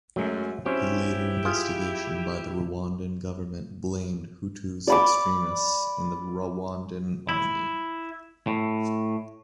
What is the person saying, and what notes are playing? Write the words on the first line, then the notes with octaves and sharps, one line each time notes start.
A later investigation by the Rwandan government blamed Hutu extremists in the Rwandan army.
F#2 F#3 G#3 A3
F#3 C4 C#4 E4 G4
F4 G#4
D5 B5 D6
E4
A2